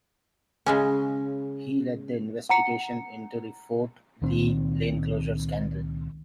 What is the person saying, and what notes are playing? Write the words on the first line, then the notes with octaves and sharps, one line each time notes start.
He led the investigation into the Fort Lee lane closure scandal.
C#3 G#3 C#4
F#5 A#5 C#7
C#2 A#2 D#3 C4